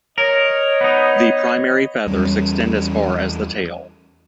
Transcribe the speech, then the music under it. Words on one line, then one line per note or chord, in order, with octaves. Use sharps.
The primary feathers extend as far as the tail.
A#4 C#5 D#5
B3 D#4
E2 G3 A3 C#4